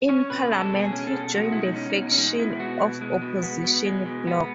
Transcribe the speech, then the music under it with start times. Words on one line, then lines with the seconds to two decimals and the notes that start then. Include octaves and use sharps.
In parliament he joined the faction of Opposition Bloc.
0.09 C#4 C#5
0.30 B2 B4
0.52 G#3 A4
0.73 B2
0.80 G#4
0.92 C#4
1.07 A4
1.14 B2
1.35 G#3 F#4
1.52 B2 E4
1.62 D#4
1.76 C#4
1.90 D#4
1.97 B2
2.11 C#4
2.18 G#3 D#4
2.39 B2 E4
2.59 B3 F#4
2.81 B2
3.01 G#3
3.22 B2
3.43 B3
3.64 B2
3.85 G#3
4.06 B2
4.27 B3